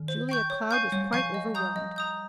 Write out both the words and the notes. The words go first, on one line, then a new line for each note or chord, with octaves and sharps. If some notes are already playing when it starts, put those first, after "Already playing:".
Julia Cloud was quite overwhelmed.
Already playing: D#3
C5
G5 C#6 G6
C#5
F5 G#5 C#6 G6
G3 C#5
F3 F5 G#5 C#6 G6
D#5
A#5 D#6 G6
D#5
A#5 D#6 G6